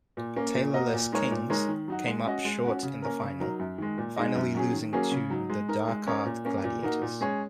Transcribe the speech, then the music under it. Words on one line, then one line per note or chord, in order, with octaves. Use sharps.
Taylor-less Kings came up short in the final, finally losing to the Dhaka Gladiators.
A#2
A#3 C#4
A#2
A#3 F#4 A#4 D#5
A#2
G#3 D#4 A#4 C#5
A#2
G#3 D#4 A#4 C#5
D#3
F#3 D#4 F#4
G#3
C#4 F#4 D#5
G#3
C#4 F#4
C#3
A#3 C#4 A#4
C#3
F#3 D#4 A#4
F#2
D#3 G#3
A#2
G#3 D#4 G#4 D#5
F#2
F#3 C#4 G#4
D#3
F#3 A#3 C#4 G#4
C#3
F#3 D#4
G#3
D#4 A#4
G#3
C#4 A#4 C#5
A#2
A#3 C#4
A#2
A#3 D#4 F#4 A#4
A#2
G#3 C#4 G#4 C#5